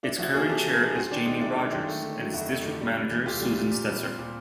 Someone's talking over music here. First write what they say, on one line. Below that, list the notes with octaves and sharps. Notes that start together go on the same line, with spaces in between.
Its current chair is Jamie Rogers, and its district manager Susan Stetzer.
C3 D4 E4
F3 E4 F#4
A#3 F#4 G#4
C3 G4 A4
C3
G#4 A#4
F3
C4 F#4 G#4
D#3 D4
G#3 D#4
C3 D4 E4
C4
D#3
A3
D3
F#3
F2 E4 F#4
A3
D3
G3
C3
E3
D2 F4 G4
G3
C3
A#2
G3
C4
A#2